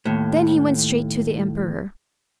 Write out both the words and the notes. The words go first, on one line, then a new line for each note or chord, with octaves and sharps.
Then he went straight to the emperor.
D#2 A2